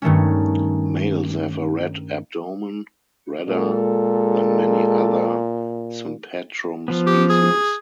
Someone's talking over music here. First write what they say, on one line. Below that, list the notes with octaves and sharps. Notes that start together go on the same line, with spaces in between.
Males have a red abdomen, redder than many other "Sympetrum" species.
G2 D#3 A3 C#4
A#2 G#3 A4
F3 B3
G4
G#4